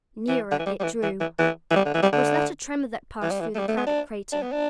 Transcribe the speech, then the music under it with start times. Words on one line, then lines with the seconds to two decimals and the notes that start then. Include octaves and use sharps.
Nearer it drew. Was that a tremor that passed through the crowded crater?
0.28 E3
0.52 D3
0.59 E3
0.66 G3
0.80 G3
0.83 E3
1.03 E3
1.21 E3
1.39 E3
1.71 E3
1.76 G3
1.85 D3
1.94 E3
2.03 G3
2.13 D3
3.22 E3
3.31 G3
3.40 E3
3.55 A3
3.59 G3
3.68 A3
3.77 B3
3.87 D4
4.33 D4
4.43 B3
4.53 D4